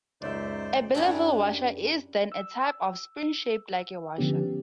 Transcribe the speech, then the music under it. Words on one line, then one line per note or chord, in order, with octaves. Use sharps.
A Belleville washer is, then, a type of spring shaped like a washer.
C#2 F#2 D#4 C5 D5 E5
F#2 D4 E4 G4
E6
D3 F3 B3 C#4 G4